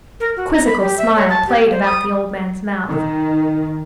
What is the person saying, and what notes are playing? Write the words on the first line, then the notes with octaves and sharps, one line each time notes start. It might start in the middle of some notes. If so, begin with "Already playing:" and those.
A quizzical smile played about the old man's mouth.
A#4
F#4
A#5
B5
G4
E5
C#5
A5
G4
C5
D#6
D#3